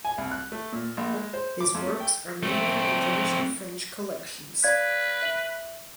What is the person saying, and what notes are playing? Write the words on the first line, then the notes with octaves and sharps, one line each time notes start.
His works are mainly in British and French collections.
G#5
C2
F#6
A3
A#2
A#1
G#3
C5
D6
F2
A3
G5
A3 C4
B4 D5 F5 G#6
E5 F#7